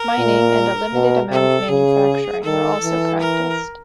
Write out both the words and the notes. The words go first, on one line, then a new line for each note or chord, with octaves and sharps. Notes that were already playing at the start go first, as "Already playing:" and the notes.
Mining and a limited amount of manufacturing were also practiced.
Already playing: A#4
A#2
B2
C3 A4
C#3 G#4
D#3 A4
E3
A#4